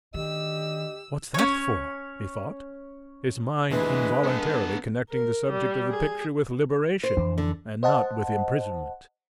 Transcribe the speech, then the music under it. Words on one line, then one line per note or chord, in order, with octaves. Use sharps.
"What's that for?" he thought, his mind involuntarily connecting the subject of the picture with liberation and not with imprisonment.
D2 D#3 D4 G4 D#5 E6
C#4 C#5
D2 E3 G#3 D4 B4
B3 A4
A#4
G3
G#4
C5
F2 E3 D4
D3
C5 D#5 F#5 A5